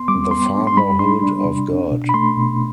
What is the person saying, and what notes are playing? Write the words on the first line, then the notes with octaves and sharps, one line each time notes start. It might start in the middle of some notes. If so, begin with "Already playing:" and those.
The Fatherhood of God.
Already playing: B3 C6
G3 D6
B3 C6
D4
C6
G3 B5
D4 C6
D4
C3
D4
B2
B5
A3 C6
B2